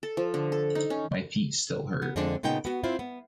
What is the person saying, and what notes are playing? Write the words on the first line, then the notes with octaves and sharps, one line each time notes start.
My feet still hurt.
A4
F3
D3
A4
D#4
C#4
B3
F2 D3 G#3 C4 D4
A#2 C#3 B3 D#4 G5
B3 F#4
C4 E4 F4
B3